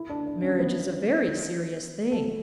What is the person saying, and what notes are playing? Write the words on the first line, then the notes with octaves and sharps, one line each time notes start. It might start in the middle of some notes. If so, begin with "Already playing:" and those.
"Marriage is a very serious thing."
Already playing: E4
D4
D4
C#4
B3
A3